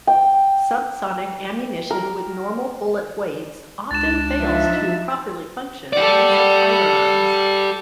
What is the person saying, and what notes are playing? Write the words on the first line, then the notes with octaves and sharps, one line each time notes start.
Subsonic ammunition with normal bullet weights often fails to properly function in such firearms.
G5
A#4
C#2 D4 A6 E7
F3 D#4 E5
G4 A4 D5 F#5